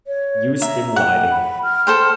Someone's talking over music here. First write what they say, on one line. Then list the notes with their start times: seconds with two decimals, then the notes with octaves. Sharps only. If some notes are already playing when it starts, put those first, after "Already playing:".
Use dim lighting.
0.07 C#5
0.62 E5 A#5
0.96 F#5 G5
1.31 B5
1.64 F6
1.87 A4 C5 G5